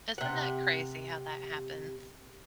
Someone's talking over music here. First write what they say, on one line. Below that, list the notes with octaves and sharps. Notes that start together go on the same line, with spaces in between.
Isn't that crazy how that happens?
C3 F#5